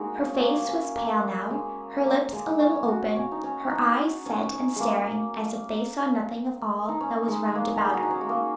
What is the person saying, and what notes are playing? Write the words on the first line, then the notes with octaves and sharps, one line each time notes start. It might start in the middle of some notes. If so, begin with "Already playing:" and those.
Her face was pale now, her lips a little open, her eyes set and staring as if they saw nothing of all that was round about her.
Already playing: G#3 A#3 D#4 F#4
C#4
A#3
A#3
C#4
A#3
G#3
A#3
G#3
C#4
F#4
C#4
D#4
C#4
D#4
C#4
G#3 A#3
D#4
C#4
G#3
G#3
A#3
A#4
G#4
F#4
D#4
C#4
G#3
A#3